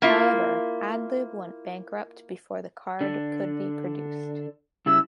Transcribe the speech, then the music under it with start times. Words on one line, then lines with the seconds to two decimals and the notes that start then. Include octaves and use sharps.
However, AdLib went bankrupt before the card could be produced.
0.02 A#3 E4 F4
3.01 D3 D4
4.86 C#3 G3 E4 E6